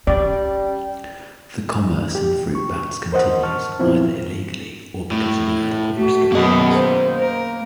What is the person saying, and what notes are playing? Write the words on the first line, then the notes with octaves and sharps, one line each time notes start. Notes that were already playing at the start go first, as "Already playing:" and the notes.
The commerce in fruit bats continues either illegally or because of inadequate restrictions.
G3 C#4 D5
G4
C#6
A#4 C5 D#5 F#5
A5 C#6 F6
A#2 F3 B3 C4 E4 F4
A2
A3 F#4
F#2 B2 A#3 B3 G#4 D#5
C5
A#4